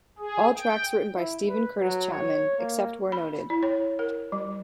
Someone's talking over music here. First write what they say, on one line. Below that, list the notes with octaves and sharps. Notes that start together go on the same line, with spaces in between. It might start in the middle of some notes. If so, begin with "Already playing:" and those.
All tracks written by Steven Curtis Chapman, except where noted.
G#4
G5
E4
B4
F#3
C#5
A#3
B5
E4
C#5
A#4
G3